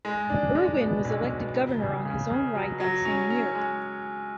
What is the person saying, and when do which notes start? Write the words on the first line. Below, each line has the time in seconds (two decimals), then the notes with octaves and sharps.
Irwin was elected governor in his own right that same year.
0.05 G#3
0.30 D4
0.55 G#3
0.80 B2
1.05 B1
1.30 B2
1.55 C#2
1.80 C#3
2.05 C#3
2.30 C#3
2.55 F#3
2.80 F#3
3.05 C#4
3.30 C#4
3.55 G#3